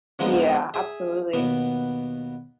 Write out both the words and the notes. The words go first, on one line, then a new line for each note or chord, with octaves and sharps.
Yeah, absolutely.
D3 F3 G#3 B3 C4 D#4
G#4 E5
D#2 B2 B3